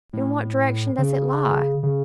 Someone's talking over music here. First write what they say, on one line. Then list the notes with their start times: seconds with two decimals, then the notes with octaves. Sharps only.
'In what direction does it lie?'
0.13 A2
0.98 C#3
1.83 C#3